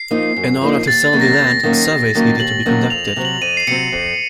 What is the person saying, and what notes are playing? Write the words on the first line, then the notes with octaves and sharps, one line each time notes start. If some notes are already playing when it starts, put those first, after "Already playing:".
In order to sell the land, surveys needed to be conducted.
Already playing: C7
F3 A#3 D#4
F#2
F3 A#3 D#4
D#2 A6
A6
D#3 F#3 A#3 C#4
A#6
D#2 A6
A#6
D#3 F#3 A#3 C#4
D#2
D#3 F#3 A#3 C#4
D#2 F#7
D#3 F#3 A#3 C#4
F2 F7
F7
C3 F#3 C4
F#7
F2 D#7
C7
C3 F#3 C4 C#7
F2